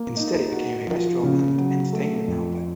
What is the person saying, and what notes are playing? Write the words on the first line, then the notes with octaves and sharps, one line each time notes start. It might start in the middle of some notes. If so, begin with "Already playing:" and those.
Instead it became a restaurant and entertainment outlet.
Already playing: A#3
D#4
F#4
F3
C#3
F#3
A3
F2